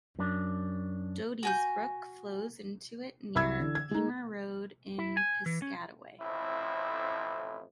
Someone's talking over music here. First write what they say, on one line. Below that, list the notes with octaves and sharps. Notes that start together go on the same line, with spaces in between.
Doty's Brook flows into it near Behmer Road in Piscataway.
F#2 D4
F#4 G#5 G6
C2 E5 B5 E6 G#6
D3 E3
G#6
G#3 D#4
E4
G#5
E3
C#4
A1 F2 A2 C4 E4